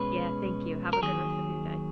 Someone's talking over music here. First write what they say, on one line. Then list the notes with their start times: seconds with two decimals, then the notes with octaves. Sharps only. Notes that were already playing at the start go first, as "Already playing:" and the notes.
Yeah, thank you, have a good rest of your day.
Already playing: B2 G#3 C#4 B4
0.93 A#4
1.02 D#2 D#3 F#3 G#4